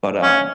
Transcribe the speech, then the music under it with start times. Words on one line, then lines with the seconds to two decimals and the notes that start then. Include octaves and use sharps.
but, um,
0.23 C#4